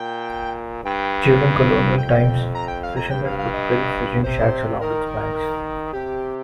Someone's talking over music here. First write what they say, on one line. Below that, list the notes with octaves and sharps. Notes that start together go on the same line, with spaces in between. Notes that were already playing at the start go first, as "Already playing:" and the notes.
During colonial times, fishermen would build fishing shacks along its banks.
Already playing: A#2 G5
G2 G5
F2 G5
A#5
G5
F5
A#5
G2 G5
F5
F5
D#5
C3 C5
D#3 A#4
C3 G4